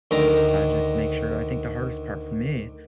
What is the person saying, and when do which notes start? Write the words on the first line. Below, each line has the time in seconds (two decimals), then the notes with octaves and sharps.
uh, just make sure I think the hardest part for me
0.11 D2 D#3 A#5